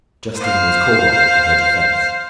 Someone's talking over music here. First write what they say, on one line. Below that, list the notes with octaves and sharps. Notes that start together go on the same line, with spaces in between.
Justine was called on for her defence.
C5 F5